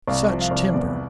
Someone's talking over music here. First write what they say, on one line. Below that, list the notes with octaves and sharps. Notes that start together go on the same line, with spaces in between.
Such timber!
C2 F5
F3
F5
C2
E2 D5